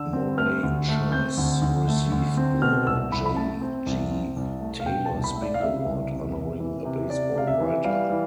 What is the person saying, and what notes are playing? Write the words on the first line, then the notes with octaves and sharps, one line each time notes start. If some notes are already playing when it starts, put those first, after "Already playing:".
Murray Chass received the J. G. Taylor Spink Award honoring a baseball writer.
Already playing: D3 E6
C4
A3 F6
D2
A3
C4 G6
D2
D2
A3
D2
C4
B2 F6
C2 E6
C2 B5
B5
A3 A5
C4
C2
C4
C2
A3
F5
B2 G5
A5
C2
B5
A3 E5
D5
F5
C3 E5
C2
C3
C3
E3
C3
C3 D5
C3 F5
E5
E3
G3 F5
E3